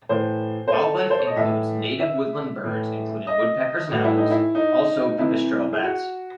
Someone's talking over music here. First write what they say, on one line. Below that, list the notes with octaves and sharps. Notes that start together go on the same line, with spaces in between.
Wildlife includes native woodland birds including woodpeckers and owls, also pipistrelle bats.
A2 E3 C5
C5
A4
C5
C#5
D#5
A2 E3 E5
E5
A2 E3
D#5
A2 E3 F#4
E4
D#4
E4
D#4
C3 E3 E4
G#4
F#4